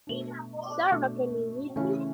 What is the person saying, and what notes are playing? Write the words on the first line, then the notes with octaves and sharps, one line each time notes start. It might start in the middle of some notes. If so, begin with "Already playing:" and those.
Sara can you read me?
B2 A3 D4
B2 A3 D4
C#3 E3 A3 C#4